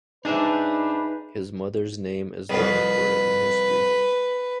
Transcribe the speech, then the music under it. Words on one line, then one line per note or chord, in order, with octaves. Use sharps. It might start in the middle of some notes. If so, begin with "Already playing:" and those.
His mother's name is not recorded in history.
D4 D#4 G#4 B4 E5
C2 F2 B4